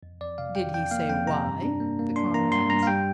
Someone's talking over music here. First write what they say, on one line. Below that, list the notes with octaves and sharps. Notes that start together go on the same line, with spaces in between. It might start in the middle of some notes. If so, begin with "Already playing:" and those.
"Did he say why?" the coroner asked.
F2
F2 D5
C3 F5
F2 G5
F2 G5
A#3 F5
F2 G5
C3 A#5
G2
D4
A#3
A#3
D4 C6
A#3 A#5
G2 C6
G2 A#5
F5
G3 G5